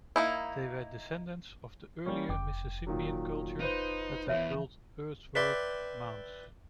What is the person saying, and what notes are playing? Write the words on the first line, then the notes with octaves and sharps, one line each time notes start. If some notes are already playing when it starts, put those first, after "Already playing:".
They were descendants of the earlier Mississippian culture that had built earthwork mounds.
A#3 D#4 E4
G3 A#3 C#4 C#6
F1 G5 D6
A#2 D#3 F#3
D#4 F4 B4 C5
E2 E3 C#5 E5 F5
B4 D5 E5 G5 C6